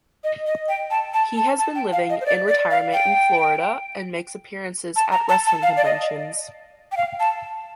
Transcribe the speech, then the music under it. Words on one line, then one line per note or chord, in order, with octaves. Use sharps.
He has been living in retirement in Florida and makes appearances at wrestling conventions.
D#5
D#5
G5
A5
A5
A5
A5
G5
F5
D#5
C5
D5
D5
F5
G5
A5
A#5
A5
A5
F5
D5
D#5
G5
F5
A5